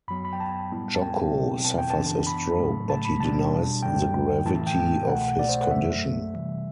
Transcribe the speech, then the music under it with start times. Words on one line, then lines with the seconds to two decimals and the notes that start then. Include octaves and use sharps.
Jocko suffers a stroke, but he denies the gravity of his condition.
0.08 F#2 F#3 B3 B5
0.25 B5
0.33 G5
0.40 A5
0.72 A2 G3 B3 E4
0.95 A5
1.02 G5
1.34 B2 F#3 C4 E4
1.65 A5
1.78 G5
1.90 A5
1.96 F#2 E3 B3 D4
2.27 B5
2.58 A2 F#3 A3
2.90 A5
3.05 B5
3.20 B2 G3 D4 A5
3.83 F#2 D3 G3 G5
4.45 A2 E3 A3 E4 A5
4.55 A5
4.67 G5
5.07 C2 B2 A3 F#5
5.39 D5
5.49 C5
5.62 F#5
5.70 F#2 F#3 A3 E5
6.33 C3 E3 G3